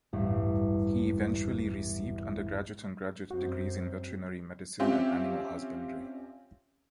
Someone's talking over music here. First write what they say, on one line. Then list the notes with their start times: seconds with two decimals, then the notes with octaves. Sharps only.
He eventually received undergraduate and graduate degrees in veterinary medicine and animal husbandry.
0.13 A1 E2 G2
3.30 F#2 C4 F#4
4.80 C4 C#4 F4 G4 E5